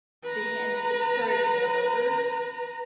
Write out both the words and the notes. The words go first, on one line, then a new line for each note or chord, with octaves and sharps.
thing and encourage more voters
B4 A#5